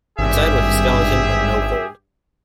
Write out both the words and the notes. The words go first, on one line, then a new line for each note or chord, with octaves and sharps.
Inside was a skeleton but no gold.
G#1 G2 G4 G#4 E5